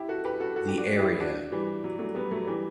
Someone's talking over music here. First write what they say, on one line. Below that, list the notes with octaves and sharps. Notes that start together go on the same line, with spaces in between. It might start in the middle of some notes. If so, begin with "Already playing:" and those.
The area.
Already playing: E4 G4
F#4 A4
G4 B4
F#4 A4
F#4 A4
G4
D4 F#4
E4 G4
E4
D4 F#4
E3 G3
F#3
F#3 A3
G3 B3
F#3 A3
E3 G3